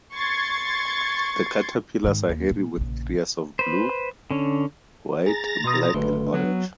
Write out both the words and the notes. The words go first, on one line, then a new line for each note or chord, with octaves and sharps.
The caterpillars are hairy with areas of blue, white, black and orange.
C6 C#6 G#6 A6
G#2 D#3
D#2
A#2
A#1 C#3
B4 C5
D3 C#4
G#4 A#5 A6 A#6
B2 C6 D#6
F#1 C#2 D3 A3 D4 B4 C6
F#3 B3